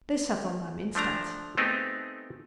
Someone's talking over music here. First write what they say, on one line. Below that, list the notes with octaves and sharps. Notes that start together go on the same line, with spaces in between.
They sat on them, instead.
F3 A3 D4 A#5
A3 B3 C4 D#4 G4 G#4